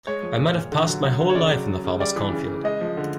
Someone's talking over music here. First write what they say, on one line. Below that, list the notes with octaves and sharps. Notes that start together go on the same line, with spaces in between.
I might have passed my whole life in the farmer's cornfield.
G#3 C#5
F3
A#2
A#2
D3
F#3
F#3
D3
C#5
C#3 D5
F#3
F#3
C#3
G3 D5
E3
C#3
C#3
G#3 D#5
F3
D3